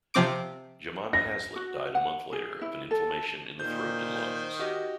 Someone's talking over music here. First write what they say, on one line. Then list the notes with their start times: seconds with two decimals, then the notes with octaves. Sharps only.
Jemima Haslet died a month later of an inflammation in the throat and lungs.
0.14 C3 F3 C4 D6 D7
1.13 A#6
1.56 F#4
1.95 F#5
2.33 G#4
2.62 E4
2.91 A4
3.60 A#2 D#3 C5 G6
4.59 F#4 G4 D#5